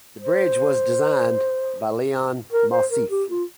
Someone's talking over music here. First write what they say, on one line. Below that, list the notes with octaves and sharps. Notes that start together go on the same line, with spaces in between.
The bridge was designed by Leon Moisseiff.
C5
A#4
C5
A#4
G4
F4